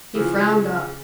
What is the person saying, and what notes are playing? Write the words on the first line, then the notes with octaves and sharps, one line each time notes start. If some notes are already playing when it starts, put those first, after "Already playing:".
He frowned up.
C#3 E3 F3 G#4